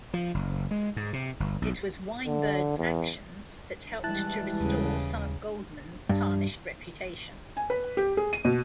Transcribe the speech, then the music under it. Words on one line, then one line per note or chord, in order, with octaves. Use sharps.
It was Weinberg's actions that helped to restore some of Goldman's tarnished reputation.
F3
F#1
G#3
G#2
C3
G1
B1
D3
E2
E3 G3 G#3 E4 A5 F#6
D#2 C#3
G2
G#5
B4
G4
G#4
D#7
B2